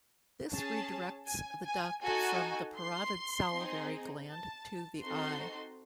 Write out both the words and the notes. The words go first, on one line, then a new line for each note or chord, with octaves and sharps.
This redirects the duct from the parotid salivary gland to the eye.
C#4 G#4 A5
G#5
G#5
D#4 F#4 A4 G#5
C6
C4 D#4 G#4
A5
C4 D#4 F#4 A4 C6